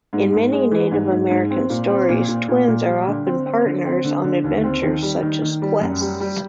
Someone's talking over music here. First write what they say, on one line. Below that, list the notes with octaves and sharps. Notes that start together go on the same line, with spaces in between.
In many Native American stories, twins are often partners on adventures such as quests.
G#2
G#2
G#3
E3
G#2
G#2
G#2
C4
A#2
C4
A#2
A#2
A#2
A#2
G3
D3
C4
C4
D3
C4
D3
D3
D#2
C4
D#3
G3
D#3
D#3
G3
F#2
G3
G3